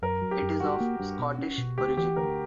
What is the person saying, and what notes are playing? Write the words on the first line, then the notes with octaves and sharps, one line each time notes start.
It is of Scottish origin.
F#2 A#4
F#3
G4
F#2
G2 F#4
A#3
G2
B2
C#4
B2
D2 G4
E3 G4
D2 A#4